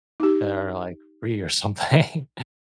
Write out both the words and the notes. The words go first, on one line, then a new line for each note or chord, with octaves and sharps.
that are, like, free or something,
D#4 G4